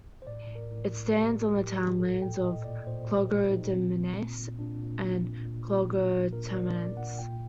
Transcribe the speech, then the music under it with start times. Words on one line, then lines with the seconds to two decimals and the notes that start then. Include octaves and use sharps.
It stands on the townlands of Clogher Demesne and Clogher Tenements.
0.22 C5
0.27 A2 D5
0.48 A2
0.55 A#4
0.70 A2
0.91 A2
1.13 A2 G4
1.34 A2
1.57 A2 G4
1.78 A2
2.00 A#2 A4
2.21 A#2 G5
2.43 A#2 D#5
2.64 A#2 D5
2.87 A#2 C5
3.09 A#2
3.29 A#2 G4
3.51 A#2 D#4
3.72 A#2 C4
3.94 A#2
4.16 A#2
4.38 A#2
4.59 A#2 D4
4.82 A#2
5.03 A#2
5.25 A#2
5.45 A#2
5.67 A#2
5.89 A#2
6.10 A#2
6.32 A#2 A#4
6.54 A#2 D5
6.76 A#2 D5
6.97 A#2 F#5
7.19 A#2 G5